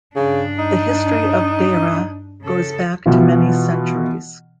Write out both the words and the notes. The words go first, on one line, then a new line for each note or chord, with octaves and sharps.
The history of dayereh goes back to many centuries.
G2 C#3 D4
D#4
C#3 A4
B2 E3 F4